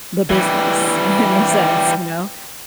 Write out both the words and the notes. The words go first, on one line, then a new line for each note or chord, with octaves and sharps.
the business in the sense, you know?
E3 G3